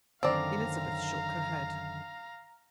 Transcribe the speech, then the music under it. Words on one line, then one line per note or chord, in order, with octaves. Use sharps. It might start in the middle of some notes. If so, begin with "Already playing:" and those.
Elizabeth shook her head.
F#2 D3 D#3 C4 D5 F5 A#5